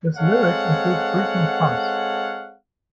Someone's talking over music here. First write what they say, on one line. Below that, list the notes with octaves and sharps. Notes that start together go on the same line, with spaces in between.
His lyrics include frequent puns.
G#3 C4 A4 C#5 F5 F#5